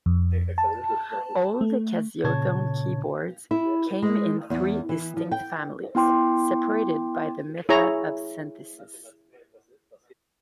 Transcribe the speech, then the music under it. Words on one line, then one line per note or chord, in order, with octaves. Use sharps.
Old Casiotone keyboards came in three distinct families, separated by the method of synthesis.
F2
A5
A3
A#2 C#3 C#5 A5 G#6
E4
G#3
E2
E3
F3
G5
B3 E4 G5 C6 D6
E4 G#4 C#5 A#5